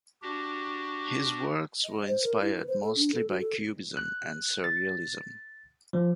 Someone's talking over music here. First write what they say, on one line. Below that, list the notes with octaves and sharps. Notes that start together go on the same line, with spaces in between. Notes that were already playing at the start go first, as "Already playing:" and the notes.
His works were inspired mostly by Cubism and Surrealism.
D4 F#4 G4
D#5
C5
A#4
E4
B4
C5
A4
D4
A4
F#4
A4
F#6
A6
F3